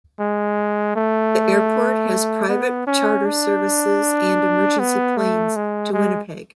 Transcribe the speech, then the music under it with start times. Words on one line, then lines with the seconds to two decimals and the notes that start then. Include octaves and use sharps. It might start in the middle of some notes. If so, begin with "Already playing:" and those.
The airport has private charter services and emergency planes to Winnipeg.
0.20 G#3
0.96 A3
2.48 B3
2.87 C#4
3.26 D4
4.79 B3
5.17 A3
5.56 G#3
5.93 G#3